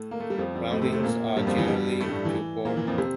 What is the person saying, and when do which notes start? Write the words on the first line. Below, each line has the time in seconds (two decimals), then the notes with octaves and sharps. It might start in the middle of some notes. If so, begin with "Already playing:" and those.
Roundings are generally to Port.
Already playing: A2 A3
0.11 A#3
0.20 A3
0.30 G3
0.38 F2 F3
0.55 F2 F3
0.71 A2 A3
0.81 C3 C4
0.92 A2 A3
1.03 A#2 A#3
1.36 G2 G3
1.47 F2 F3
1.58 E3
1.68 G2 G3
2.00 A2 A3
2.09 G2 G3
2.25 E3
2.65 A#2 A#3
2.77 E3
2.87 F2 F3
2.98 C3 C4